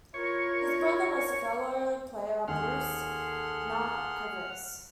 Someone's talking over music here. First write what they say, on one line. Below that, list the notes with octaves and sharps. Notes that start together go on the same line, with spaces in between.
His brother was fellow player Bruce Nankervis.
E4 F4 A#4 C#5
D#2 G#4 A4 F#5 C6 F6